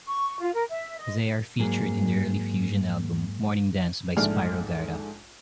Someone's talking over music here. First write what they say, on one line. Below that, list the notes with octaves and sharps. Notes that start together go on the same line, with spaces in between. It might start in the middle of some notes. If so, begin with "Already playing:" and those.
They are featured in the early fusion album Morning Dance by Spyro Gyra.
C#6
F4
A#4
E5
D#5
G#2 F#3 A#3 G#4
A#1 G#2 A3 D5 G#5 F6